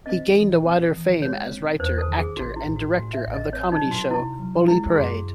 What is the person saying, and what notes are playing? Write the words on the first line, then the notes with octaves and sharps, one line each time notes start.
He gained wider fame as writer, actor and director of the comedy show "Bullyparade".
C4 D#5
E3
C4
E3
G#3 C#5
C4
E2 C5
A4
D#3
G#4
A1 F#4
E4
A2
F#4
A2 F#4
E5
A1
D#5
C4 C#5
D#4
F#3
F#4
C3 E4
F#3
G#3 E4
G#4
F#2 F#4